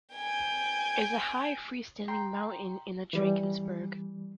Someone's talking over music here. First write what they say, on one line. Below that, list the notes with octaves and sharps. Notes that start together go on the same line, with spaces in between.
It is a high free standing mountain in the Drakensberg.
G5 G#5
G5 A#5 C6
E3 G3